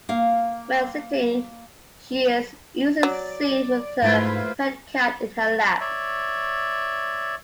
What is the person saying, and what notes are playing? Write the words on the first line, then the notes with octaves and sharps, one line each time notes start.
When sitting, she is usually seen with her pet cat in her lap.
A#3 F5
F#3 D5
G#2 A3 A#3 E4 F4 B4 C5
C#5 D5 E5